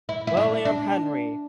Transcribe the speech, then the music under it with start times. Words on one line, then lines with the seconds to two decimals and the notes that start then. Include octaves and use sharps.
William Henry.
0.09 E4
0.27 E4
0.37 D4
0.65 D4